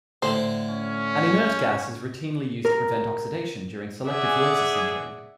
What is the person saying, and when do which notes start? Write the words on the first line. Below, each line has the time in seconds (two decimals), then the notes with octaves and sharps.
An inert gas is routinely used to prevent oxidation during selective laser sintering.
0.22 A2 D3 C5
0.70 C#4
2.65 A#4
4.08 G#4 D5 E5 F#5